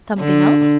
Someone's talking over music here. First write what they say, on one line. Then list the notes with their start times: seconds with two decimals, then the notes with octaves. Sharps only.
"Something else?"
0.19 D3